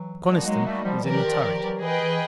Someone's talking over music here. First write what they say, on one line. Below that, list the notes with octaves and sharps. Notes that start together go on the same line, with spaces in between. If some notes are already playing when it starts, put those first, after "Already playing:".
Coniston was in the turret.
Already playing: E3 F#3
F3 G3 A#3 D#4 F#4
F#3 G#3
G3 A3
F3 G3
E3 F#3 G4 A#4 D5
D#3 F3
D#3 F3
E3 F#3
E3 G#4 B4 D#5 G5
E3